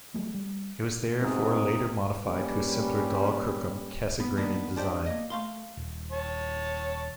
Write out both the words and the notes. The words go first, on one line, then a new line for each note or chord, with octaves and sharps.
It was therefore later modified to a simpler Dall-Kirkham Cassegrainian design.
F3 F#3 G#3 A3
G3
G#2 C3 C4 D#4
G3 A#3 C#4 G4 B4
B3
D#3 A#3 B3 D4
G#3 D4 G4 C5 D5 G5
A#3 D#5
A3 F5 C6
D#1
C#5 A5